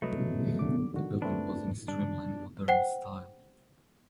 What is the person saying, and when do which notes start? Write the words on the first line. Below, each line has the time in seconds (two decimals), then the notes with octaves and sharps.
The building was in Streamline Moderne style.
0.02 C2 F#3 A3 B4 D#5
0.59 D3 D6
0.94 D3 D#3 F#4
1.22 A3 C4 D4 B4
1.88 G2 D4
2.68 C5 F#5 G5